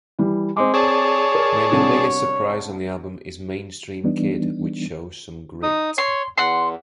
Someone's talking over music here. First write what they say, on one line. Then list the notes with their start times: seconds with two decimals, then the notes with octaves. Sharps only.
Maybe the biggest surprise on the album is "Mainstream Kid," which shows some grit!
0.19 E3 G3
0.57 G#3 C4 D6
0.74 G#4 C#5 D5 A5
1.35 A#4
1.71 C2 D4
4.04 E3 G3 B3 D4 D#4
5.63 D#4 D#6
5.98 C#5 C6
6.38 E2 F#5 C6